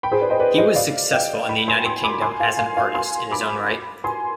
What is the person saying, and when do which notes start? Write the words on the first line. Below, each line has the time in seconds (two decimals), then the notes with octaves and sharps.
He was successful in the United Kingdom as an artist in his own right.
0.03 G5 B5
0.12 G#4 C5
0.21 B4 D5
0.30 C5 D#5
0.40 B4 D5
0.58 C5 D#5
0.75 D5 F5
1.12 D#5 G5
1.49 G5 B5
1.68 G#5 C6
1.85 G#5 C6
2.03 B5 D6
2.22 G#5 C6
2.40 F5 G#5
2.59 F5 G#5
2.77 F5 G#5
2.95 G#5 C6
3.31 B5 D6
4.04 G#5 C6